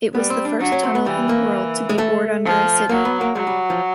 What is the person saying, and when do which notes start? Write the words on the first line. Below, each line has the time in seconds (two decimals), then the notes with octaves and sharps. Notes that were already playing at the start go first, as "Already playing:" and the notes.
It was the first tunnel in the world to be bored under a city.
0.15 G3 B3
0.30 C4
0.45 D4
0.60 F#3 D4
0.72 C#4
0.84 C4
0.95 B3
1.06 E3 G3
1.29 A#3
1.89 G#3
1.98 A3
2.44 F3
2.89 F#3 A#3
3.05 B3
3.21 A#3
3.35 F#3 G#3
3.47 G3
3.70 F3